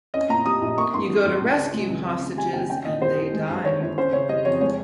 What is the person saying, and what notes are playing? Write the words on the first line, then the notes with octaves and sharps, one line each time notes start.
You go to rescue hostages and they die.
C#4 D#5
A#2 A#5
G3 D#6
A#1
A#3 C#6
G2 C6
G3
G#1
C#2
C#3
G#3
C#2
C4
C#3
G3 G#5
D#2 G5
C#4 G5
A#2 D#5
G3 C5
C2
G#3
G2
D#3 C#5
G1
C#4 C5
C#3 C#5
G3 D#5
F2 C#5
G#3 C#5